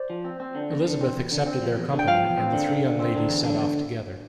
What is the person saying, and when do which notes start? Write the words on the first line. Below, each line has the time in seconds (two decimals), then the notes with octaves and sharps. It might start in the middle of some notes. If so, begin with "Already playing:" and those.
Elizabeth accepted their company, and the three young ladies set off together.
Already playing: C5 D5
0.10 F3
0.25 C4
0.40 C4
0.55 D3
0.70 E2
0.85 D3
1.01 C4
1.16 E2
1.31 D3
1.46 C4
1.62 F3
1.77 E2
1.92 D3
1.99 G5
2.07 F3 F5
2.22 E2
2.38 C4
2.53 D3
2.68 D3
2.83 D3
2.99 C4
3.14 D3
3.29 E2
3.44 D3
3.60 E2